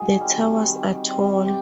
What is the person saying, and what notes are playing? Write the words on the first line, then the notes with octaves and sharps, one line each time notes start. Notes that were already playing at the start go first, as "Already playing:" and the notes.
The towers are tall.
Already playing: D#3 F#4 G#4
G3 C4
D#3
G3 C4
G4